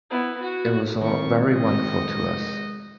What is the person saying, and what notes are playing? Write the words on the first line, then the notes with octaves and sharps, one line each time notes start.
It was all very wonderful to us.
B3 E4
F#4
D#3 G#3 C4 F4 G4 C#6
D#4 F#4 D#5